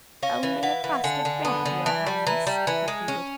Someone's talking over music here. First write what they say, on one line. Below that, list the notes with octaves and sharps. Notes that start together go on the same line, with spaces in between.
"Only a crust of bread, your Highness!" he pleaded.
C#4 F5
E3
E3 F#5
E3
D3 G#5
D3
B3
D3
E3 A5
G3
E3 A#5
G3
E3 G#5
G#3
C#4